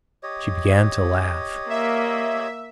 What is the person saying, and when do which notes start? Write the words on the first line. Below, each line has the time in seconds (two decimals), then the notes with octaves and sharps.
She began to laugh.
0.23 G4 C#5 D#5
1.70 A#3 E5